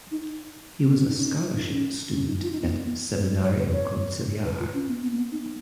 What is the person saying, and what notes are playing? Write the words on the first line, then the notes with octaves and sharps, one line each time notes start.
He was a scholarship student at Seminario Conciliar.
D#4
B3
C#4
D#4
C#4
D#4
F4
D#4
C#4
C#4
D#4
F4
D#4
B3
A#3
B3
B4
C#5
B4
C#5
B4
F4
C#4
B3
B3
A#3
B3
D#4